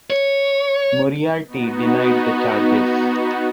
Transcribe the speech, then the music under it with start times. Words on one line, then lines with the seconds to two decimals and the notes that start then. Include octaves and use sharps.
Moriarty denied the charges.
0.10 C#5
1.47 B3 D#4 F#4